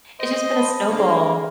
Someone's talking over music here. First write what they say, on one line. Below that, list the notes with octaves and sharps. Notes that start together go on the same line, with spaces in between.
it's just been a snowball.
C5 D#5
A5 B5
D3 A#3 G#4